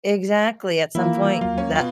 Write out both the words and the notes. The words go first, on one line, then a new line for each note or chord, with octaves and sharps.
exactly, at some point that
E3 A#3 E4 F4
D#2 F#3 F4
C#4
B2 F4